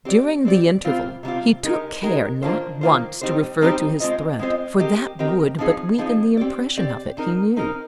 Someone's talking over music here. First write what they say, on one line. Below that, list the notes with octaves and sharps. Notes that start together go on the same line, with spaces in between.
During the interval, he took care not once to refer to his threat, for that would but weaken the impression of it, he knew.
C4 G4 D5
C4 G4 D5
C3 G3 C4 F4
C3 G3 C4 F4
G#3 D#4 G4 A#4
G#3 D#4 G4 A#4
D#3 A#3 D4 F4 C5
D#3 A#3 D4 F4 C5
G3 C4 D#4 G4 C5
G3 C4 D#4 G4 C5
G#3 C4 F4 C5 D#5
G#3 C4 F4 C5 D#5
C4 G4 A#4 D#5
C4 G4 A#4 D#5
F3 C4 D#4 G#4
F3 C4 D#4 G#4
C4 G4 D5
C4 G4 D5
C4 D#4 A#4
C4 D#4 A#4